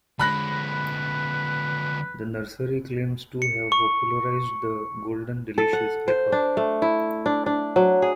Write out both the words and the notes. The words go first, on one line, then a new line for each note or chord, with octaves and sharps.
The nursery claims to have popularized the Golden Delicious apple.
D3 G#3 B5 F#6 A#6
B4
C#7
C#6
A4
F#5
C5
D4
A3
E4
D4
D4
F#3
G#4